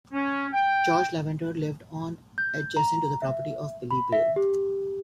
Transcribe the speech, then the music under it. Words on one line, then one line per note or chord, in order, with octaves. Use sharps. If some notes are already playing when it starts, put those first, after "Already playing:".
George Lavender lived on adjacent to the property of Billy Blue.
C#4
G5
G6
A#5
E5
B5
E5
G4